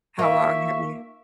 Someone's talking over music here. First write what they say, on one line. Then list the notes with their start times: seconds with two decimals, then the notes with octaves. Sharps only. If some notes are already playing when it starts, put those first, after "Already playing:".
how long have you
0.19 A#3 D#4 F4 E5 C#6